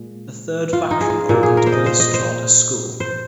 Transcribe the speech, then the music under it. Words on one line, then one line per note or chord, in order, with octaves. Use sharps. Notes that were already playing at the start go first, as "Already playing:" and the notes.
A third faction opened Bullis Charter School.
Already playing: A#2 G#3
F4
D#4
G#4
F4
A#2 A#3
G#4
A#4
C5
D#5
C5
D#5
C5
C5